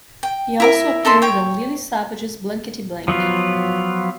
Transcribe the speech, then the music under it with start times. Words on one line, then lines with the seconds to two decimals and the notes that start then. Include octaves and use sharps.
He also appeared on Lily Savage's Blankety Blank.
0.23 G5
0.60 E4 A#4 E5
1.05 D#4 A4 E5 C6
1.22 C#5 G5
3.08 F3 F#3 B3 F4